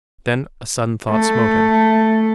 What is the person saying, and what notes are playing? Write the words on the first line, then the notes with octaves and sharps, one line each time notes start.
Then a sudden thought smote him.
A3